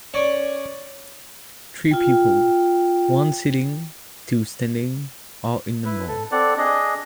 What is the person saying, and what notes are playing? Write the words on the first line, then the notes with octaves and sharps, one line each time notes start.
Three people, one sitting, two standing, are in a mall.
C#4 C#5 D5
F4 G5
E4 B4
A4
C4 A4 D5 F#5
D4 G#4 D#5